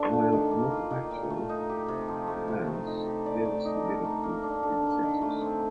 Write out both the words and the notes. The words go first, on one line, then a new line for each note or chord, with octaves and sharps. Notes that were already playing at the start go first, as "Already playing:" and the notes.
While not a bad show, 'Louse' fails to live up to its predecessors.
Already playing: D3 F3 D4 A4
A3
D#3
A#3
F4
D#3
A#2
A3
D#4
G4
C3
F3
A3
C3
A3
D#4
G4
D5
A3
D#4
A#4
A3
A#3
D4
A4
A#3
D#3
A3
C4